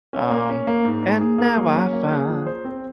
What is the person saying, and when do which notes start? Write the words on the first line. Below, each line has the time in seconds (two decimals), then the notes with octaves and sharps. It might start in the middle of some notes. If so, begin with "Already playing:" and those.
Um, And now I find,
0.13 C#4
0.30 A#3
0.50 C#4
0.67 A#3
0.85 G#2
1.03 G#2
1.21 G#4
1.38 A#3
1.57 F#3
1.75 C#4
1.93 A#3
2.11 G#4
2.29 F3
2.47 C5
2.65 C4